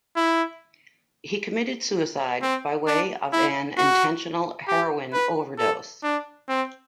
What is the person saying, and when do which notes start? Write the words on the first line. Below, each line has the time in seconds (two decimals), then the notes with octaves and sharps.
He committed suicide by way of an intentional heroin overdose.
0.16 E4
2.42 C4
2.87 D4
3.33 E4
3.78 F#4
4.68 G4
5.13 B4
5.58 A4
6.03 D4
6.49 C4